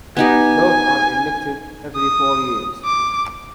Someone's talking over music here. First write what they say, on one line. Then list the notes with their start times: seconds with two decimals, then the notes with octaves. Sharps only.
Both are elected every four years.
0.17 B3 D#4 G4 G#5
1.96 D#6
2.85 D6